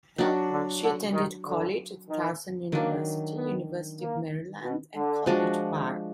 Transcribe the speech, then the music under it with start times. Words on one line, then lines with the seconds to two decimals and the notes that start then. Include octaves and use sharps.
She attended college at Towson University, University of Maryland and College Park.
0.18 D#3 F#3 D4 F#4
0.50 D3
0.81 D3
1.13 D#3
1.45 D3
2.08 D#3
2.72 D#3 F#3 A#3 D4
3.35 B3
3.99 A#3
4.62 B2
4.95 D3
5.26 F3 G#3 D4 F#4